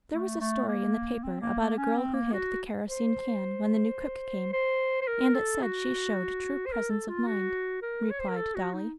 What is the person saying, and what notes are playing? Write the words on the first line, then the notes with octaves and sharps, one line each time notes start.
"There was a story in the paper about a girl who hid the kerosene can when the new cook came, and it said she showed true presence of mind," replied Dolly.
A3
A3
A#3
C4
A#3
A#3
C#4
C4
A#3
F#4
C5
C5
C5
A#4
A4
F#4
C5
A#4
A4
F4
F#4
A#4
C#5
C5
A#4
A4
F#4
D#4